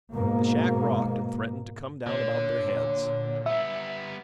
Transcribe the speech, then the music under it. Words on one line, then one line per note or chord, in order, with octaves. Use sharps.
The shack rocked, and threatened to come down about their heads.
G#2 B2 A#3
A#2 D3 C#5
G3 B3 E5